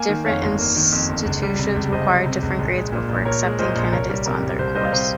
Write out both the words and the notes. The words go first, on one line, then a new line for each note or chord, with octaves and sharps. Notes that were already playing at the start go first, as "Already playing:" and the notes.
Different institutions require different grades before accepting candidates onto their course.
Already playing: A#3 F5 G#5
D#3
F2 C#5 F5
G1
A#3
D#3
F2
G1
C#2
G3
C3
C#2
C#2 C5 D#5
G3
C3
C#2
A#1
G#3
A#2
A#1
A#1 A#4 C#5
G#3
A#2 C5 D#5
A#1
C2 A#4 C#5
G3
C3 A#4
C2
C2 C5
G3 C5 D#5
F5
C3 C5 D#5